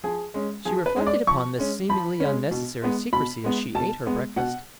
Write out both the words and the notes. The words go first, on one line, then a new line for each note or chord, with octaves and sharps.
She reflected upon this seemingly unnecessary secrecy as she ate her breakfast.
F3 G#4
G#3 C#4
F3 G#4
B4
G#3 C#4
D5
F3 C#6
G#3 C#4
F3 B5
G#3 C#4
B2
G#3 B3
B2 B5
G#3 B3
B2 A5
G#3 B3
B2 F#5